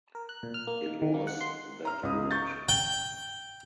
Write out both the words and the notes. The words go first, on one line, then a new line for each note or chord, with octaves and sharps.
It was that good.
A#4
F#6
A#2
F6
A#3
D#3
D#3
A#3
F#5
C6
A#5 F6
C#2 D#6
C#6 G6 A6
G5